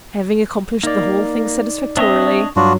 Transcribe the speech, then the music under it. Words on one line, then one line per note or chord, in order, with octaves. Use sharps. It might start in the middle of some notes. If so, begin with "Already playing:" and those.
"Having accomplished the whole thing satisfactorily."
A#3 D#4 D5
C4 D4 C#5 D#5 E5
G2 F#3 D4 F4 F#4